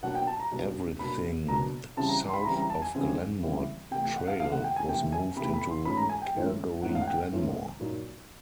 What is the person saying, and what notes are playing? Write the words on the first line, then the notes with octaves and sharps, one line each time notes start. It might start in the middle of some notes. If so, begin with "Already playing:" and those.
Everything south of Glenmore Trail was moved into Calgary-Glenmore.
B2 F#3 A#3 D4 F#5
G5
A5
A#5
B2 F#3 A#3 D4
B2 F#3 A#3 D4 B5
B2 F#3 A#3 D4 A#5
C#3 E3 G3 C4 E4 A5
A#5
C6
B5
C#3 E3 G3 C4 E4 A#5
A#5
A5
G#5
C#3 E3 G3 C4 E4
C#3 E3 G3 C4 E4
C3 E3 A3 G5
G5
F#5
F5
C3 E3 A3 F5
F#5
G5
G#5
C3 E3 A3 G5
G#5
C3 E3 A3 B5
B5
C6
G#2 E3 A3 C#4 F4 B5
A#5
G#5
G5
G#2 E3 A3 C#4 F4
G#2 E3 A3 C#4 F4 F#5
F5
F#5
G5
G#2 E3 A3 C#4 F4
A#2 F#3 A#3 D#4